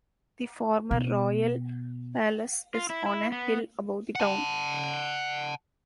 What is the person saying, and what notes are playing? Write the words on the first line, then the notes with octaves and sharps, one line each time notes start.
The former royal palace is on a hill above the town.
B2
F4
E4
E4
B3
F#5 A5